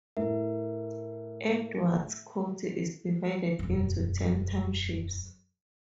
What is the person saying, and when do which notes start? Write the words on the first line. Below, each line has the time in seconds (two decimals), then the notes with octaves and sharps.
Edwards County is divided into ten townships.
0.17 A2 A#4 E5
3.59 E1 F#2